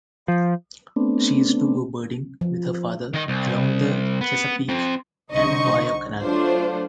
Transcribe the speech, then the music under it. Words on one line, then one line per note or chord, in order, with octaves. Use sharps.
She used to go birding with her father along the Chesapeake and Ohio Canal.
F3
A3 B3 C4 D4
F3
D#3 D#5
C2
B3
C4 F4
C2 D3 D#4 C5 D#5 C#6
F#3 A3 D4 F4 C5 C#5